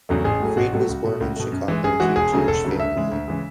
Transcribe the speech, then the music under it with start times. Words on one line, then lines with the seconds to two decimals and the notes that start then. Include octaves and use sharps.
Freed was born in Chicago, to a Jewish family.
0.09 E2 C#3 F#3 A3
0.24 A1 G#4
0.40 A2 F#3 A3
0.57 A1 F#4
0.72 A2 F#3 A3
0.89 C#2
1.04 B2 A3
1.20 C#2
1.36 B2 A3
1.52 F#2
1.68 E3 G#3
1.84 F#2 G#4
2.00 E3 G#3 F#4
2.16 E1 G#4
2.32 D2 C#3 F#3 A3
2.48 E1 A4
2.65 D2 C#3 F#3 A3
2.80 D2 E5
2.96 C#3 E3 G#3
3.11 D2
3.28 C#3 E3 G#3